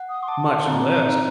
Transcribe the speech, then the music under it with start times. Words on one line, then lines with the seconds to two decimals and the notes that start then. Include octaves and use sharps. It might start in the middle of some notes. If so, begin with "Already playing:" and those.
much less,
Already playing: F#5
0.09 D#6
0.23 C6
0.28 A5 D6
0.47 C6
0.61 C6
0.67 C4 A#5
1.06 D#4